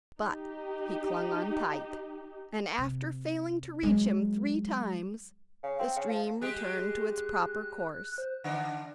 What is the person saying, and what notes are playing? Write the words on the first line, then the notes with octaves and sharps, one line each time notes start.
But he clung on tight, and after failing to reach him three times the stream returned to its proper course.
D#4 G4
C3
F#3 G#3
C#3
C4
C#3
F3
G#3 G4 G#4 F#6
C5
D3 D4 F#5